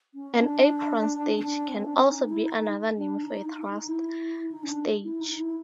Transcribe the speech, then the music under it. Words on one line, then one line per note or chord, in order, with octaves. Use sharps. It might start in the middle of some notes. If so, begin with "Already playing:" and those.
An apron stage can also be another name for a thrust stage.
C#4
D4
C#4
D4
C4
D4
C#4
D#4
E4
D#4
D4
D#4
D#4
D#4
D#4
E4
D#4
C#4
D4
E4
D#4
D#4
E4